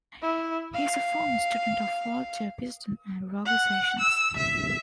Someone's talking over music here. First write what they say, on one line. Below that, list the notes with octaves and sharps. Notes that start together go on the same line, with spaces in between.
He is a former student of Walter Piston and Roger Sessions.
E4
F5
F#5
E6
E5